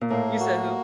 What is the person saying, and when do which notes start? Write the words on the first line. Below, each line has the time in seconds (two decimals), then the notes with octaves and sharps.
You said who?
0.01 A#2
0.10 A2 A#3
0.40 F#4